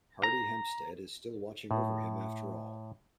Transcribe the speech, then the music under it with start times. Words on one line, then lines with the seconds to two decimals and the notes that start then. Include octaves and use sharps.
Hardy Hempstead' is still watching over him after all.
0.23 A#5
1.71 A2